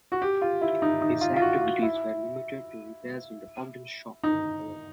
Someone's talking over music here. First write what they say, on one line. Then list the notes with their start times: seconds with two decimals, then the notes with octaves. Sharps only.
His activities were limited to repairs in the Ogden shop, however.
0.12 F#4
0.22 G4
0.42 F4
0.62 E4
0.82 D#4
1.01 D#4
1.21 F4
1.36 F4
1.41 F#4
1.62 F4
1.82 E4
4.24 D#4